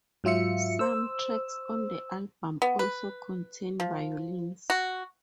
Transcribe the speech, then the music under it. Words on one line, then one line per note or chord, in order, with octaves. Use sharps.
Some tracks on the album also contain violins.
G#2 F#3 F4 E5 C#7
C5 E6
B3
B4
F3
F#4